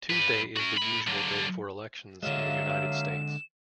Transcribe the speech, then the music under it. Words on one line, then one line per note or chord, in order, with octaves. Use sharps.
Tuesday is the usual day for elections in the United States.
G2 B4
C#4 F#4
A4 B5
D3 F#3
D3 F#3 G#3 E5 F5 E7